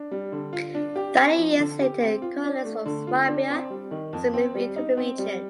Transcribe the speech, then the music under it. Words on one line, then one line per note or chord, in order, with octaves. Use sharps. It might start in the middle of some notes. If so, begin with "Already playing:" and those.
Thirty years later colonists from Swabia also moved into the region.
Already playing: D4
G3
D3
F4
D4
G4
C4
F3
D3
G4
C4
F4
D4
A3
D3
F4
D4
C4
G3
D#3
F2
C4
G3
D#4
C4
G3